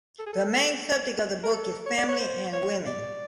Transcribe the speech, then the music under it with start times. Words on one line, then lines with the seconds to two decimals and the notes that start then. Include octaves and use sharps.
The main subject of the book is family and women.
0.19 A4
0.26 G#4
0.33 A4
1.43 A#4
1.53 A4
1.86 C#5
1.97 D5
2.09 C#5
2.20 C5
2.53 C#5
2.86 D5